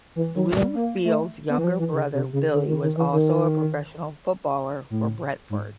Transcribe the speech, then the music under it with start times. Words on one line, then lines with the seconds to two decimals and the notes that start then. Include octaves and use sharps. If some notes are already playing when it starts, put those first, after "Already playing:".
Bloomfield's younger brother Billy was also a professional footballer for Brentford.
0.16 E3
0.36 F#3
0.55 G3
0.75 A#3
1.05 A3
1.49 B3
1.58 E3
1.64 F3
1.79 E3
1.93 C#3
2.14 C3
2.33 C#3
2.53 D3
2.68 D#3
2.82 D#3
2.97 E3
3.12 D#3
4.90 A2
5.50 G#2